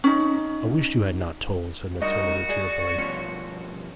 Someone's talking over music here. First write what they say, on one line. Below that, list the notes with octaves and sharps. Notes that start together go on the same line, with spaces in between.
'I wish you had not told,' said Matilda tearfully.
C#4 D#4
G3 D4 D#4 F#4 A#4 D#5
G#4 D5
G2 B2 F3 C#4